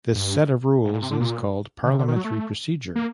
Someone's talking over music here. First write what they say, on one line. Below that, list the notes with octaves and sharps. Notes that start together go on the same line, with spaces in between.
This set of rules is called parliamentary procedure.
G2
A2
A#2
C3
D3
A#2
D3
C3
D3
D#3
F#3
A3
A#3